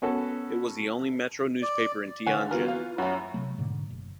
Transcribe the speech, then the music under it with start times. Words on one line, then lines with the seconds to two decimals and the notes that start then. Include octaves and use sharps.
It was the only metro newspaper in Tianjin.
0.02 B3 C#4 F#4 A4
1.62 D5
2.26 D3 B4 C#5 F5 F#5 G#5
2.51 E3 B3 F4 F#4 A#4
2.68 A#3
2.98 F#2 A3 F#4 C#5 A#5 B5
3.34 C3 F#3 A3
3.58 G#2 B2 D3
3.90 F#1